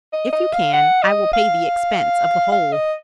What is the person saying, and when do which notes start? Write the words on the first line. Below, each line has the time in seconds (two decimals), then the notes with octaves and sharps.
If you can, I will pay the expense of the whole.
0.13 D#5
0.32 D#5
0.53 F5
0.73 F#5
1.03 D#5
1.33 F5
2.52 F5
2.72 D#5